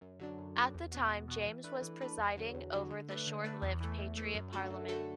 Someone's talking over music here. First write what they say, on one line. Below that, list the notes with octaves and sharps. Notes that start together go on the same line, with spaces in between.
At the time James was presiding over the short-lived Patriot Parliament.
F#2
D3 F#3 D4
F#2
D3 F#3 D4
E2
B2 B3 F#4
E2
B2 B3 F#4
E3
A3 D4 B4
E3
A3 D4 B4
E2
D3 F#3
E2
D3 F#3
D3
A3 D4 B4
D3
A3 D4 B4
E2
E3 A3
E2
E3 A3
F#2
D3 A3 F#4 A4
F#2
D3 A3 F#4 A4